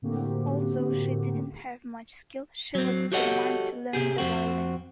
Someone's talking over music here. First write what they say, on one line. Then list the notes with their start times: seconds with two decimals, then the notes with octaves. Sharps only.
Although she didn't have much skill, she was determined to learn the violin.
0.02 A2 D3 A#3 C4 F#4 G4
2.75 F#3 C4
3.12 F#4 G4 A4 C#5 D#5 F#5
3.93 C3 G4 G#4
4.18 F2 C4 F#4